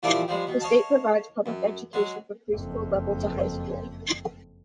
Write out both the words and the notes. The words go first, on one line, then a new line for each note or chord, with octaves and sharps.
The state provides public education from preschool level to high school.
A#2 E3 F3 G3 A5 D6
F3 G3 G#3
B2
C#5 D#5 F5 A5
F#2
F#3 G#3
F#1 F2